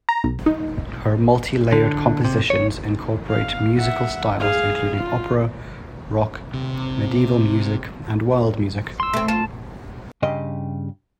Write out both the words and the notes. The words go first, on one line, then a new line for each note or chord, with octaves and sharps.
Her multi-layered compositions incorporate musical styles including opera, rock, Medieval music, and world music.
A#5
B1
D#4
D3
C3
C#5
F5
E5 F#5
G#4 F5
F4
C3
C6 E6
A3 C4
F4 A5
G2 C#3 G4 D#5 C6